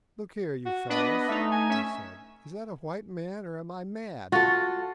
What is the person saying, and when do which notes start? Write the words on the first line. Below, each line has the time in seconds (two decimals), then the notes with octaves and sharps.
"Look here, you fellows," I said, "is that a white man, or am I mad?"
0.66 F#4
0.89 B3 D4 B4 D#5
1.29 A3 D#4 E5
1.52 G#5
1.69 C#4 E5
4.32 F4 F#4 A4